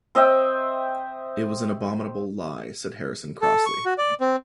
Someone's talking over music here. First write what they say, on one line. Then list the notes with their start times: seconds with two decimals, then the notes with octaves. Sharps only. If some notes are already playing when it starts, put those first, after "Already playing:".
"It was an abominable lie," said Harrison crossly.
0.15 C4 D#5 E5 G5
3.42 A4
3.66 C#6
3.86 F#4
3.98 D5
4.21 C4